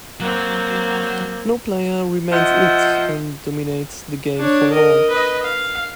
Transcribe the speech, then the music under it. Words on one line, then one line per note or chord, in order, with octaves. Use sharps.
No player remains "it" and dominates the game for long.
F#3 A#3 C4
F3 D#5 E5 F#5
D4 C#5
A#4 D#5
B4 D#5
F5